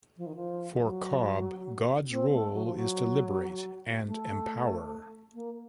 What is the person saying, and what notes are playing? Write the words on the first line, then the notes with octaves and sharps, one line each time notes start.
For Cobb, God's role is to liberate and empower.
F3
D#3
F3
F#3
C4
A3
F#3
F3
F#3
A3
A#3